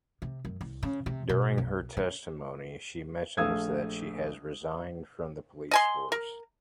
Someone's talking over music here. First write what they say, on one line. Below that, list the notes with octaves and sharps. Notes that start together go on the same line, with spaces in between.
During her testimony, she mentions that she has resigned from the police force.
C3
F#2
C2
C#3
C3
B2
B1
C#3
A#1 A3 F5 D#6 E6 G#6
D#5 G#5 C6
A#4